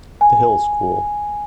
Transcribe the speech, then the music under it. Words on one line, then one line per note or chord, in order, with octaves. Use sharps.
The Hill School.
G#5